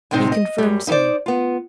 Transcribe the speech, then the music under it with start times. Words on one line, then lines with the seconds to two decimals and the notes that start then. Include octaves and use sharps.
He confirms me.
0.11 D2 A2 C3 C4 D#4
0.32 D#5
0.58 F#2 G3
0.87 D#4 E4 G#4 C5 D5
1.26 B3 F4